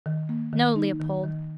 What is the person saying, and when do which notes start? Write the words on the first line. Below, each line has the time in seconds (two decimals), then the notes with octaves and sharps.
No, Leopold.
0.06 D#3
0.29 A#3
0.53 D#3
0.76 D#4
1.00 D#3
1.23 D#3